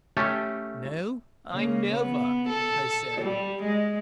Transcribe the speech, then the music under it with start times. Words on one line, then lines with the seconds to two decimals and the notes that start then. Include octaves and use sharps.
"No, I never," I said.
0.17 A3 C#4 G4 A4
1.52 C#3 A#3
1.96 B3
2.49 A4
3.22 G3
3.63 G#3